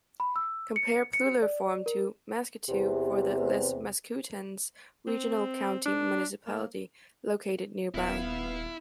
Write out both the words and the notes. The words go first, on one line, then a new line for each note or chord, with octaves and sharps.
Compare plular form to "maskutew" for the Les Maskoutains Regional County Municipality located nearby.
B5
E6
C#7
C#7
D5
A#4
E2 C3
C4
D4
A#3
D#1 B3 E4 F5